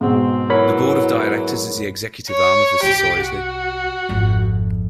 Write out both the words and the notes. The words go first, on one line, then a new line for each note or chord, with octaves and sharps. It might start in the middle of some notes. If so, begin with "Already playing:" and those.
The Board of Directors is the executive arm of the Society.
G#2 B2 G#3 C4
E3 F#3 A#4 C#5 B5
C#5
C2 G4
F#4
G#1 F2